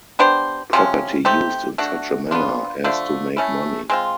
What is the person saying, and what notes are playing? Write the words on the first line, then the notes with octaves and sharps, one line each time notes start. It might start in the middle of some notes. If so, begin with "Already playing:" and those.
Property used in such a manner as to make money.
B3 D4 G4 C5
C3 F3 G#3 C#4
A3 C4 D#4 G4
A3 D4 F#4
B3 D4 F4
D3 F3 A3 D4
A3 C#4 E4
G#3 C4 F4